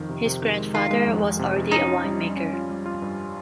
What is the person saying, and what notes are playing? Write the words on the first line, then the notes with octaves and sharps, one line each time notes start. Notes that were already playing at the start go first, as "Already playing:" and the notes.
His grandfather was already a winemaker.
Already playing: F2 D#3
C3
C3
D#3
G#3
D#3 F4
G#3
F2
F2
C3
F2
C#4 D#4
F4
G3
G3
C#4
F4
G3
F4
G2